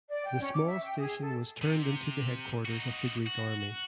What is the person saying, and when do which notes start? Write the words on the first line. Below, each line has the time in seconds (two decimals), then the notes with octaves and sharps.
The small station was turned into the headquarters of the Greek army.
0.10 D5
0.26 G5
0.41 C#4
0.53 D6
0.66 E5
0.84 G5
0.99 G#4
1.22 A4
1.62 C3
2.65 D#4 F#4
3.26 F#4